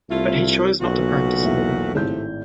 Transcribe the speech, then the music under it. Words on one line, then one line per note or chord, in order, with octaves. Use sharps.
But he chose not to practice law.
C2 A3 E4 F4
B1 A#2 A3 F#4
E2 A#3 E5
G#1 A2 C3 F3 A3 G6